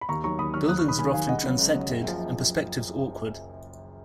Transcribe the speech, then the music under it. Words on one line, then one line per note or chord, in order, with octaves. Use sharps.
Buildings are often transected, and perspectives awkward.
B5
D#2 A#5 C#6
D#3 F#3 A#5 C#6
D#2 B5 D#6
D#3 F#3 C#6 F6
D#2 D#6 F#6
C#6 F6
D#3 F#3 B5 D#6
D#2 G#5 B5
D#3 F#3 F5 G#5
C#2 D#5 F#5
C#3 F#3
C#2
C#3 F#3
F#1
F#2 F3